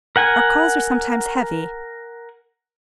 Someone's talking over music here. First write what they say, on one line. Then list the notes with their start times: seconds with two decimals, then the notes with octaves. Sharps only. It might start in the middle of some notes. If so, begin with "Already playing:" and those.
Our calls are sometimes heavy.
0.16 A#4 F#5 G#5